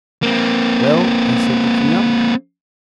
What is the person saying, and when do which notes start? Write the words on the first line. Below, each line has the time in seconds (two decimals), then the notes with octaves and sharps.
"Well?" I said, looking up.
0.23 A#3 C4